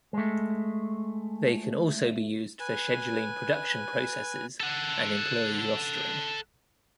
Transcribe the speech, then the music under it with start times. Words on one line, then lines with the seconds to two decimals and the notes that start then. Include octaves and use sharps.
They can also be used for scheduling production processes and employee rostering.
0.13 G#3 A3
2.60 B4 G#5
4.60 A4 F#5